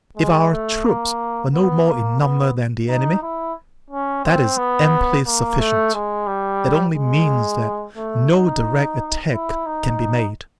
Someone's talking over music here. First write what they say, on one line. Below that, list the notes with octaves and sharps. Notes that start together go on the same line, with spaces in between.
If our troops are no more in number than the enemy, that is amply sufficient; it only means that no direct attack can be made.
G#3
A3
A#3
B3
A#3
B3
D#4
E4
C#4
C4
B3
A#3
A3
G#3
G3
G#3
A3
D#4
E4
D#4